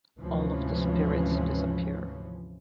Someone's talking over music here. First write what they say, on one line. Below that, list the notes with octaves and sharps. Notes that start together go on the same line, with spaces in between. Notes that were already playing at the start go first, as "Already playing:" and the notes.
All of the spirits disappear.
D2 G#2 C3 E3 F3 C#4